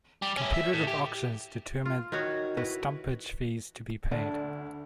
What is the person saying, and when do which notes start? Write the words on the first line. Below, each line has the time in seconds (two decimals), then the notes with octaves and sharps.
Competitive auctions determine the stumpage fees to be paid.
0.22 G3
0.37 C#4 E4
0.54 E5
0.73 A2
0.87 G4
1.86 F4
2.12 D#3 D#4 F#4 C#5
2.57 E4 F#4 B4
4.11 D2 D4